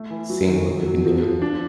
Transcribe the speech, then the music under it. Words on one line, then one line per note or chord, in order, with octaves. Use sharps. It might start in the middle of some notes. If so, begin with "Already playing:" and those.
seeing what we can do.
Already playing: A3
E3
F#3
D#3
F#3
F#3
F3
F3
D4